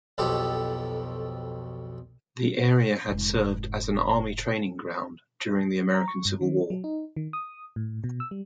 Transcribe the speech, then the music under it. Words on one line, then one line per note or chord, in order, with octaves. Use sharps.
The area had served as an Army training ground during the American Civil War.
B1 F2 B2 G4 A4
F1 G#2
A#5
C#6
G2
D#3
F#3
D#4
D#3
D#6
A2
B2
E6
G3